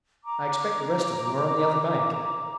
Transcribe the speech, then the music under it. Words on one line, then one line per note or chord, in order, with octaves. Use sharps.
I expect the rest of them are on the other bank.
A#5 D6